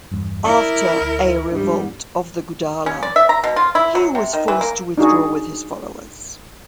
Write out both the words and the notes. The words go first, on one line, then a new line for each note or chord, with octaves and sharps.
After a revolt of the Gudala he was forced to withdraw with his followers.
E2 G2
E4 A#4 D5 E5 D6
D2
G#2 G3 D4 G4
C#4
D5
E5
A#5
B2
F4
E4
F#3
C3
D#3
E3
A#3
D4 D#4 F#4 G#4